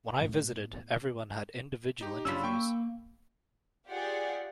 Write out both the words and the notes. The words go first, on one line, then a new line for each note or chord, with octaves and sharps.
When I visited everyone had individual interviews.
A2 B3
D#4 G4
F#1 C#4 D4 F4 B5 E6
A#3 G5 C#6
F4 G4 G#4 D5 F#5